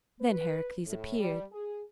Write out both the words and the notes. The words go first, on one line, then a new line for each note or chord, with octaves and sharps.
Then Heracles appeared.
B4
A2
G3
G#4